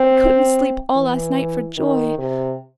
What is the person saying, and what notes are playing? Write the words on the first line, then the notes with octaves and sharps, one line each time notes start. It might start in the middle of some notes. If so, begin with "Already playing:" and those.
I couldn't sleep all last night for joy.
Already playing: C4
E3
D#3
C3